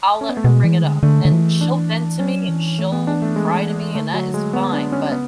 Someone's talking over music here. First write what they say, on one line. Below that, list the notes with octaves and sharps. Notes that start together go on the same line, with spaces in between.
I'll let her bring it up, and she'll vent to me and she'll cry to me, and that is fine, but
C#4
B3
A3
B2 G#3
E3
D3
D3 A3
D3
E3
D4
F#3 C#4
E3
A3
B3
D4
A3
G#3
D3 A3
F#3
G#3
B3
D4
C#4
C#3 B3